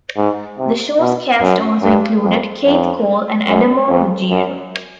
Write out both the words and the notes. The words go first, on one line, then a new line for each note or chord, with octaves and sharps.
The show's cast also included Keith Cole and Adamo Ruggiero.
G#2
C3
B2
F#2
G2
F2
F2
F#2
F2
F#2